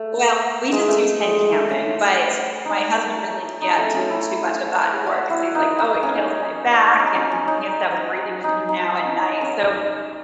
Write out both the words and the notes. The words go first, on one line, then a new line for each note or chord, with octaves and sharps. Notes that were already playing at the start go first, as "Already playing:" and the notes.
well, we just do tent camping, but my husband really can't do too much of that anymore 'cause he's like, "Oh, it kills my back," and he has to have his breathing machine now at night, so,
Already playing: A3
G#3
A3
G#3
G#3
A3
C#4
D#4
D#4
A3
C#4
E4
F#4
E4
D#4
D#4
C#4
D#4
C#4
C#4
D#4
D#4
D#4
C#4